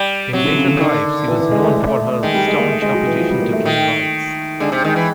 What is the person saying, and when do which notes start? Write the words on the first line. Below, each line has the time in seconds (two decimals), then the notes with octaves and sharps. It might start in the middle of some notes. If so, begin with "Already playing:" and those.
In later life she was known for her staunch opposition to gay rights.
Already playing: G3
0.33 C3 F#3
0.45 D3
0.57 C#3
0.68 D3
0.77 C#3
0.80 D3 D#3
1.28 E3
1.40 E3
1.51 G#3
1.64 A3
1.76 A3
1.87 A3
1.99 A3
2.12 A3
2.23 D#3 G#3
2.34 G3
2.47 G#3
2.59 A#3
2.70 A3
2.82 G#3
2.94 F#3
3.07 E3
3.19 F3
3.30 G3
3.42 A#3
3.53 A3
3.66 D#3
4.60 D3 G#3
4.72 C3
4.85 D#3 G#3
4.96 E3